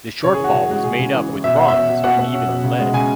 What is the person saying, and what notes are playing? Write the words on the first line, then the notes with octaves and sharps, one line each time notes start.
The shortfall was made up with bronze and even lead.
C#3 C#5
G#4
E3 F#4
C#3
G#3 F#4
C#3 G#4
C#3
E3
E3
B2 E5
C#4 F#5
E5
B2
B2
B2 F#5
B2
C#4
B2
C#3
G#3
C#3 G#5